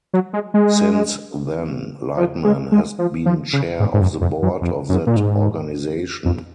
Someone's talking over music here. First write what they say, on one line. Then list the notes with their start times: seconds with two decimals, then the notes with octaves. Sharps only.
Since then, Lightman has been chair of the board of that organization.
0.13 F#3
0.33 G#3
0.54 G#3
2.17 F3
2.44 G#3
2.72 G#3
2.99 F3
3.26 F3
3.53 C#3
3.80 G#2
3.94 G#2
4.01 F#2
4.21 F2
4.42 F#2
4.62 F2
4.89 F#2
5.07 A#2
5.16 G#2
6.25 F2